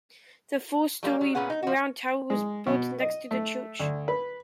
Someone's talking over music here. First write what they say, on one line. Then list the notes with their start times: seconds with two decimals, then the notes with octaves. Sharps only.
The four-storey Round Tower was built next to the church.
1.03 F#3 G3 A3 A#3
1.21 F#3
1.35 A#2 B3 C#4 G#4 F#5
1.50 D#4
1.63 F3 F#4
2.30 G#3
2.67 B2
3.00 D#5
3.31 A3
3.80 D2
4.08 B4